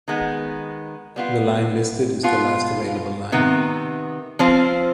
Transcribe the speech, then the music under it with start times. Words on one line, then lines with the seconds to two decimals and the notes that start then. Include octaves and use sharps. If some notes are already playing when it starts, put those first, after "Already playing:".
The line listed is the last available line.
0.08 D#3 G#3 B3
1.16 G3 B3 F4
2.23 B2 B3 F4
3.32 C3 D#3 B3
4.39 F3 C4 F4 C5